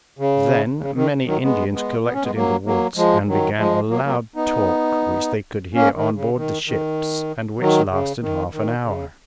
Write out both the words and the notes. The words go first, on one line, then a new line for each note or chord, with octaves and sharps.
Then many Indians collected in the woods and began a loud talk which they could hear on board the ships and which lasted half an hour.
C#3
C#3
D#3
D#3 F#3
G#3 B3
G#3 B3
B3
C#4
G#3 B3
F#3 A#3
F#3 A#3
F3 G#3
D#3 F#3
F3 G#3
F#3 A#3
F#3 A#3
B3 D#4
A#3 C#4
D#3
C#3
D#3
D#3
D#3 F#3
C#3
D#3
D#3
C#3